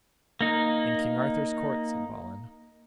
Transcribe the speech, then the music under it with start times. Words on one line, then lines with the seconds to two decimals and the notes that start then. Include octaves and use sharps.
In King Arthur's court, said Balin.
0.41 A#3 D#4